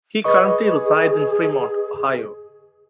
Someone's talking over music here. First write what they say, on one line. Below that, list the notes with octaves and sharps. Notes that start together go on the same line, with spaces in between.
He currently resides in Fremont, Ohio.
G#4 B4 D#5 C#6